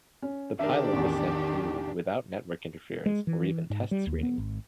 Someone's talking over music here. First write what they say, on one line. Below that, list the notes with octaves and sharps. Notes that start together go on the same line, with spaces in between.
The pilot was sent through without network interference or even test screenings.
C#4
D#3 D4 G4 A#4 E5
A1 E2
G#3
E3
G#2
G3
D#2
B3
G#1